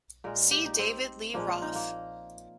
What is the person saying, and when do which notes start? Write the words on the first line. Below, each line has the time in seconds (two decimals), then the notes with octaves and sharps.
See David Lee Roth.
0.24 A#2 G#3 A#4
0.51 G4
0.66 D#4
0.79 C4
1.34 A#2 F3 G#3 A#3
1.48 F4
1.62 D#4
1.75 A#3